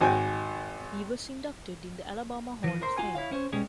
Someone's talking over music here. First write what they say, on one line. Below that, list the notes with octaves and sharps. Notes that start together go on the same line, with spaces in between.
He was inducted in the Alabama Hall of Fame.
G#1 F#4 G5 G#5
E3 F3
A#4 C5
F4 F#4 G#5
E4 C#5 F5
C#4 C5 C#5
B2 G3 G#3 C#4 G#4